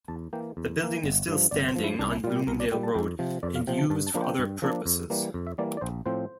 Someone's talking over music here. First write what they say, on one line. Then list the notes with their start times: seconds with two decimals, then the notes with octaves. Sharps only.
The building is still standing on Bloomingdale Road and used for other purposes.
0.08 E2 A5
0.33 E3 A#3 G5
0.57 E2
0.80 E3 A#3
1.04 G1
1.28 G2 F3
1.51 G1 D5
1.68 C5
1.76 G2 F3
1.84 E4
1.99 C2 D4
2.12 E4
2.24 A#2 F4
2.27 G3
2.36 G4
2.47 C2 A#4
2.60 D5
2.72 A#2 G3 G5
2.83 A5
2.95 F2 G5
3.19 C3 F3
3.43 F2 D5
3.56 F5
3.67 C3 F3 G5
3.79 A5
3.90 G2 A5
4.07 A5
4.14 F3 A#3 D4
4.22 G5
4.39 G2
4.62 F3 A#3 D4
4.86 F2
5.10 E3 G3 A#3
5.34 F2
5.47 E5
5.58 E3 G3 A#3 D5
5.77 D5
5.81 A#1 C5
6.06 A2 F3 C4 C5